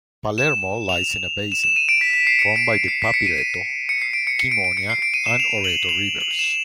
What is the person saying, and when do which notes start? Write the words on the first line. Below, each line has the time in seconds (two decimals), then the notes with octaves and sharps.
Palermo lies in a basin, formed by the Papireto, Kemonia and Oreto rivers.
0.38 E7
0.89 F7
1.52 E7
1.64 E7
1.76 D#7
1.89 D7
2.01 B6
2.13 B6
2.27 C7
2.39 C#7
2.56 D7
2.73 D7
2.88 C7
3.02 B6
3.14 C#7
3.26 D#7
3.39 D#7
3.89 C#7
4.02 C7
4.13 D7
4.27 C#7
4.40 C#7
4.51 D7
4.64 D7
4.77 C#7
4.90 C7
5.02 D7
5.14 D#7
5.26 E7
5.40 F7
5.64 F#7
5.89 F7
6.21 F#7
6.31 F7
6.39 E7